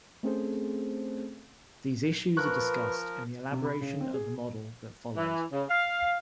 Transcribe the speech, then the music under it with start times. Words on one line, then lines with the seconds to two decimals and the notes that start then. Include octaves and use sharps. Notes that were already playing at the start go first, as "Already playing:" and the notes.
These issues are discussed in the elaboration of the model that follows.
0.23 A3 C4 C#4 G#4 A4 C5
2.37 F3 A#4 B4 C#6 F#6
3.51 C3
3.65 B5
3.81 C#3
4.01 C4
4.14 G#4
5.16 E3
5.52 C#3
5.69 F5